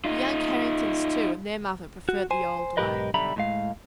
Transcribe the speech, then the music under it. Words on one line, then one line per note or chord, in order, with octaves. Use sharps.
The young Carringtons too, and their mother preferred the old way.
D#4 F4
F#4
C5 G#5
B1 G#2 G4 A#4 B4 D#5
B1 D3 G3 E5 A#5 B5
A2 G#3 F5